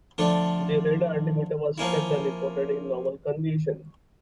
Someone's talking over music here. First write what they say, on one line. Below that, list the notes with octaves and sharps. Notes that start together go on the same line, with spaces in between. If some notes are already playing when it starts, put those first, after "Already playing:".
The radar altimeter was checked and reported in normal condition.
D3 F3 A3 D4
F3 A#3 C#4 E4